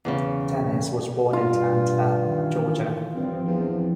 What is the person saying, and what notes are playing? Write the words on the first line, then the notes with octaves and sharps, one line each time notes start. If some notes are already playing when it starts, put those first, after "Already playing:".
Dennis was born in Atlanta, Georgia.
E2 A#2 C#3
G2 B2 F4
D#3 E3
G2 F3 C4
E2